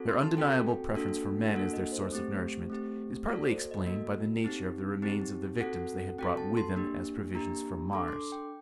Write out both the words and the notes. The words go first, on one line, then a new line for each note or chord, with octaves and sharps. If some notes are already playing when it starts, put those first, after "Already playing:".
Their undeniable preference for men as their source of nourishment is partly explained by the nature of the remains of the victims they had brought with them as provisions from Mars.
Already playing: C4 F#4 A4
C6
A5
C4 F#4 A4 G5
A#3 D4 F#4 A4
A#3 D4 F#4 A4 F#5
D#5
C5
A3 C4 G4
A3 C4 G4
A#3 F#4 A4 D5
C5
D#5
A#3 F#4 A4 D#5
C4 D#4 G4
C4 D#4 G4
C4 F#4 A4 F#5
C4 F#4 A4 G5
A5
C6
A#3 D4 G4
A#3 D4 G4 A#5
D4 A4 D6
C6
D6
G5